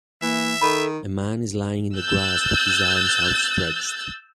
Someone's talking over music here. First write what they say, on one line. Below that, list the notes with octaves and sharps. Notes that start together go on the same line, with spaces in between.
A man is lying in the grass with his arms outstretched.
E3 A#3 E5
D#3 A4 B5
E6 F#6 G6 A6